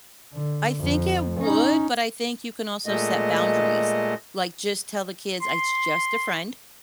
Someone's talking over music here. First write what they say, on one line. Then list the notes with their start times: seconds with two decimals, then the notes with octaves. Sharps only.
I think it would, but I think you can also set boundaries, like, just tell the kids, "I it's just a friend,
0.33 D3
0.79 F2
1.40 C#4 D#4
2.86 A#2 G#3 A3 D#5
5.42 C6